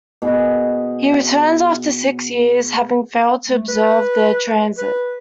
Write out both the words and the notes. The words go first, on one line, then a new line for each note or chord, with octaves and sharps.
He returns after six years, having failed to observe the transit.
B2 G#4
A3
B4
B4